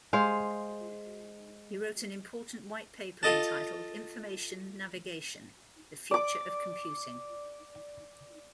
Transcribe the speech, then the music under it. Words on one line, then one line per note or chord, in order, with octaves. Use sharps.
He wrote an important white paper entitled "Information Navigation: The Future of Computing".
G#3 C5 F5
F4 A4 D#5 A5
D5 D6